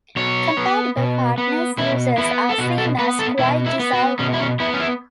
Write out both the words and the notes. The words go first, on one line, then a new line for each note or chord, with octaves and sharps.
Compatible Partners' users are seen as quite desirable.
B2 C#5
B3
B2
B3
B2 E4
B3 E4
A4
B2 F#4
A4
B3 B4
A4
B2 E4
E4
B3
F#4
B2 C#4
E4
C#4
B3 E4
C#4
E4